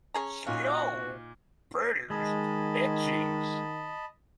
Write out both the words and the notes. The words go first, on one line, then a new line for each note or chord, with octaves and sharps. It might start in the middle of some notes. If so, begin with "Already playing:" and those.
Slowe produced etchings.
C#4 G#4 A#5
A#2 C#4 D#4 F#4 F5
D#3 G#3 D#5 A5 B5